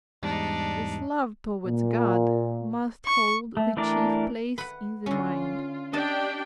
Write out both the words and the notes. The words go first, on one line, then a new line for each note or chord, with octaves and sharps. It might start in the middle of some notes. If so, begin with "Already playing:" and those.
This love towards God must hold the chief place in the mind.
E2 G#2 G3 D4 D#4
A#2
C#6
A3
E3 A3 D4 A#4 D5
B4 F#5
D3 C#4 F4
D4 G4 D#5 G5 A5